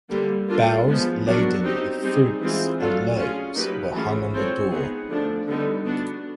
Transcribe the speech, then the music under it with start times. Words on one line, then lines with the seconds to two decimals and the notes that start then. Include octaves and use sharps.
Boughs laden with fruits and loaves were hung on the doors.
0.10 D3 G3 A#3
0.49 A#3 D4 F4 A4
0.87 F3 G#3 B3
1.25 F#3 B3 D4 F#4 A#4
1.64 C4 D#4 G4
2.02 G3 C4 D#4 G#4
2.41 E3 G#3 C4 F4 G#4
2.79 F#3 A3 D4 F4 A4
3.17 C#4 F4 G#4
3.56 F#3 A#3 D#4 G4 B4
3.94 E3 A3 C#4 F4 G#4
4.32 G#3 C4 F4 A4 C#5
4.71 B3 D#4 G#4
5.09 D3 F3 A3 D4
5.48 D3 G3 B3 D#4
5.86 B3 D4 F#4